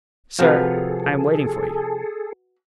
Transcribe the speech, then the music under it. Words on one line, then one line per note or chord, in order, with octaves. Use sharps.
"Sir, I am waiting for you."
C3 F3 F#4 G#4 A4 B4